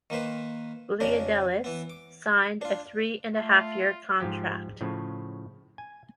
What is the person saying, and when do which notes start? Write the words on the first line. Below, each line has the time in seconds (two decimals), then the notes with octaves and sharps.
Bleidelis signed a three-and-a-half-year contreact.
0.10 D#3 A#3 B4 C5
1.00 F2 C#3 D4 G4 A#4
1.64 E3 B3
1.90 D6
2.61 D4 F4
3.34 A3 F4
4.20 G#2 F3 G4
4.81 A2 C#3 F3
5.78 G#5